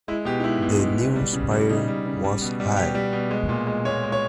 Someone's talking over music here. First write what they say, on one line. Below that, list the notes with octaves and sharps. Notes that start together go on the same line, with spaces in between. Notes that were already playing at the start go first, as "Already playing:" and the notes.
The new spire was high.
G#3 E4
B2 G4
D#4
G#3 E4
B2
G#3
B2
G3
C#3
G3
C#3 D#4
G3
C#3
G3
B2
G3
B2 G4
G3
B2
G#3
A#2
G#3
A#2 C#5
G#3
C#5